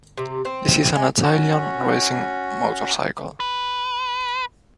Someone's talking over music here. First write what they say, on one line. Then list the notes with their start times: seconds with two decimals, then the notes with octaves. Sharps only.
This is an Italian racing motorcycle.
0.17 C3
0.45 C4
0.95 G#3
1.23 C#4 F#4
3.40 B4